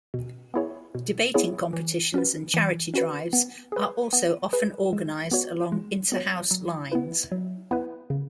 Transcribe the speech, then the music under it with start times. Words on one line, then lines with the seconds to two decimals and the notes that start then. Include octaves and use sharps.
Debating competitions and charity drives are also often organised along inter-house lines.
0.14 B2
0.54 B3 E4 G#4 C#5
0.95 B2
1.34 B3 E4 G#4 C#5
1.73 E3
2.14 C#4 F#4 B4
2.54 E3
2.94 C#4 F#4 B4
3.33 B3
3.72 G#4 B4
4.13 B3
4.53 G#4 B4
4.93 G#3
5.31 B3 F#4 C#5
5.72 G#3
6.12 B3 F#4 C#5
6.51 F#3
6.92 B3 E4 B4
7.32 F#3
7.71 B3 E4 B4
8.10 C#3